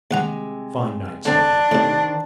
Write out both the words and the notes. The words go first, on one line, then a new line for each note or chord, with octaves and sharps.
'Fine night, sergeant.'
D#2 C3 G#3 F#5 A#5
D3 C4 D4
A2 C3 D#3 C5